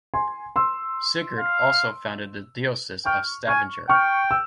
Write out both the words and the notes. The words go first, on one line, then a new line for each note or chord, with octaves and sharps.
Sigurd also founded the diocese of Stavanger.
G#5 C6
C6 E6
F5
G5 C#6 F6
G#5 C#6 F6
G5 C#6 F6
E6